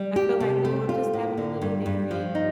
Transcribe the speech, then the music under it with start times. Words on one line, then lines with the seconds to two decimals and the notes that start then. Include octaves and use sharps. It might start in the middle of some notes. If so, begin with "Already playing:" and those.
I feel like, "Oh I'm just having a little dairy.
Already playing: G3
0.16 G4
0.40 C3
0.65 A3
0.89 F4
1.13 A2
1.38 D3
1.62 G2
1.86 G2
2.11 F3
2.35 D#4